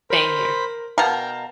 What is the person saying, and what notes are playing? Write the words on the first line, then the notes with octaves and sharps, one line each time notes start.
Same here.
A#4 C5 B5
B2 A#4 F5 G5 A5